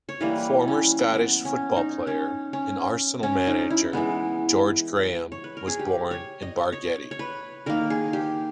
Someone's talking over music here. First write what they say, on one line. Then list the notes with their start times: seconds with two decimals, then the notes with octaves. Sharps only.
Former Scottish football player and Arsenal manager George Graham was born in Bargeddie.
0.09 C#5
0.21 E3 G3 A#3 B4
0.68 C#4
1.13 B3
1.45 C#4
1.76 D#4
2.07 C#4
2.53 C#4
3.23 C#4
3.47 D#4
3.70 E4
3.93 E3 G#3 B3
5.32 C#5
5.44 B4
5.57 A#4
5.68 G#4
5.79 G4
6.11 C#5
6.42 D#5
6.73 C#5
7.11 C#5
7.19 B4
7.66 D#3 A#3 A#4
7.90 G#4
8.13 G4